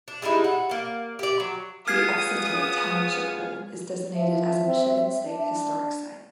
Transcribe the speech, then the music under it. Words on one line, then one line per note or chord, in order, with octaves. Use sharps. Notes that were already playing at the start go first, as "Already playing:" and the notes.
The Exeter Township Hall is designated as a Michigan State Historic Site.
D4
G3 G#3 D#4 E4
F#4
A#3 D5
G4 D5
F#3
B3 F4 G#4 D#6 F6 G#6 C7
F3 E5
C4
D4